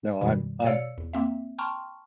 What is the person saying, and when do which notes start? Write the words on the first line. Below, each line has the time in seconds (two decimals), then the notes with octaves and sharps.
No, I'm I'm
0.21 F#2 B2 D#3 G3
0.64 B2 C#5 D5 F5 E6 C#7
0.98 E2
1.13 A#3 C4 E5
1.58 G5 A5 A#5 C6 C#6 F6